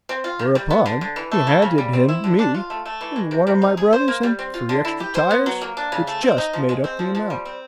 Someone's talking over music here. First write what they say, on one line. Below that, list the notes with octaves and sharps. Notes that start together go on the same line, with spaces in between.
Whereupon he handed him me and one of my brothers and three extra tires, which just made up the amount.
C4
F4
D#3
G3
B3
D3
D3
E3
A3
C#3
C#3
G3
C4
E4
D3
D4
F4
A3
A3
E3
G#3
C3
C3
D#4
G#4
C5
A#3
G3
C4
F4
D3
E4
G4
C5
B3
F#3
A#3
D4
C#3
A3
C4
D#4
F3
G#3
C4
F3
F3
G3
C4